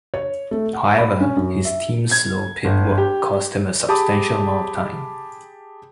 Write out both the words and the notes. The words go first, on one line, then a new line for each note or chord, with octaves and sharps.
However, his team's slow pit work cost him a substantial amount of time.
C#5
A3
F#5
B5
C#4
F#2
E5
G#6
G1
G4
G4 G#4 A5 B5 D6 D#6